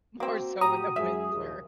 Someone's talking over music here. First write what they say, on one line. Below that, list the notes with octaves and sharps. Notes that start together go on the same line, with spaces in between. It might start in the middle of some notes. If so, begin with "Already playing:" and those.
more so in the winter.
A#3 C4 F#4
A2 G4 A#5 D#6
F#2 G#3 G#4 E5
A#1 D#2